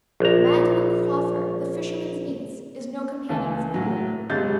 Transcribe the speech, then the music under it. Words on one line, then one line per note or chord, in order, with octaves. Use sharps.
Magdalen Crawford, the fisherman's niece, is no companion for you.
A#1 A#5
C#2 E3 A5
A2 F#3
G1 C3 G#3 G6 A6